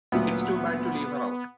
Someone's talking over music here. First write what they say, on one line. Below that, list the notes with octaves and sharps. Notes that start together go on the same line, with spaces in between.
It's too bad to leave her out.
D2 A#2 F#3 B3